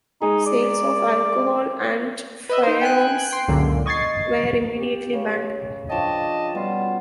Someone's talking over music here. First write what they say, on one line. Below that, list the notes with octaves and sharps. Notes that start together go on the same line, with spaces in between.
Sales of alcohol and firearms were immediately banned.
G#3 D#4 G#4
D5
B4 D#5 E5
D#4 C5
G5 G#5 F#6
G5 C6
C#2 F#2 A#2 D3
D#5 C#6 G#6 A6 C7
G4
C#3 C#4
F3 D4 C#5 D#5 G5 A5
B2 G3 F4